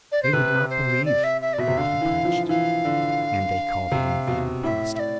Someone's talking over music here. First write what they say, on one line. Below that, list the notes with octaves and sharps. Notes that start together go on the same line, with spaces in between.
They would not believe what he preached, and they called him an impostor.
D5
C5
C3 B4
C5
D5
E5
E5
D5
B2 E5
C3
D3 F5
E3
F3
E3 F5
D3
C3
B2
A2 E5
E5
D5